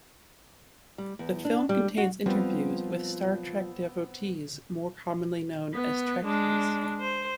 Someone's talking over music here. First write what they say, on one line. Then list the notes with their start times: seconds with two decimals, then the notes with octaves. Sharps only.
The film contains interviews with "Star Trek" devotees, more commonly known as Trekkies.
0.98 G3
1.19 E2
1.45 D4
1.69 G3
1.98 F#4
2.26 F3 G3 B3 C4
5.74 B3
6.25 G#3 D4
7.00 C5